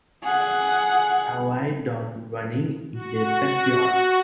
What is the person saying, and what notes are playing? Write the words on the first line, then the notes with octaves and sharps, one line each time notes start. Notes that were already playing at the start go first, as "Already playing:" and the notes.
A white dog running in the backyard.
G#4 F#5
F#4